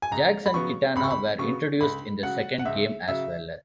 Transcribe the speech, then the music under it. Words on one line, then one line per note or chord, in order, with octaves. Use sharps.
Jax and Kitana were introduced in the second game as well.
G#5
C#2 A#5
B5
C#3 F#3 B3 C#6
C#2 B5
C#6
B5
C#3 F#3 B3 C#6
C#2 B5
C#3 F#3 F#5
F#5
C#2 E5
C#3 F#3 E5